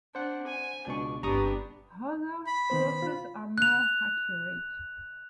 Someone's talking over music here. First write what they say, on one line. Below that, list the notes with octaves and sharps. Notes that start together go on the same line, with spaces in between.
Other sources are more accurate.
D4 C5 F#5
G#5
C#2 B2 D4 C#6
G1 B3 D4 G4 A#5 C#6 D#6
B5
D#3 B3 C5
F4
F#6 F7